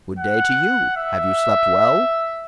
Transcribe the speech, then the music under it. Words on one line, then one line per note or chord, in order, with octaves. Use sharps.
"Good-day to you; have you slept well?"
F#5
E5